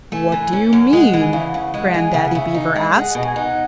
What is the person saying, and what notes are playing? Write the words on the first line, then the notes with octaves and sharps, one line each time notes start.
"What do you mean?" Grandaddy Beaver asked.
A3 G#5
E3
C#4
F#2
G#3 F#5 G#5
E3
G#5
C#3 E5
F#5
C#3
G#3 F#5
E3 G#5
C#3 F#5
C#3 E5
D#4
G#3 D#5 E5
G#4 F#5 G#5
B2 D#5
G#5
D#4 F#5